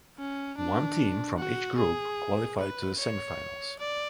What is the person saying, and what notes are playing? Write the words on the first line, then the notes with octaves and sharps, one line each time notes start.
One team from each group qualified to the semi-finals.
C#4
D4
F#4
G#4
B4
C#5
D5